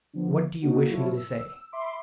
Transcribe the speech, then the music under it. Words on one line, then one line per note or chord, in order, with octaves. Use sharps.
"What do you wish me to say?"
D3 F3 B3
A#3 D4 D#4 F#4
F3 F#3 E4 F4 A4 C#5
E6
E5 B5 C6 D6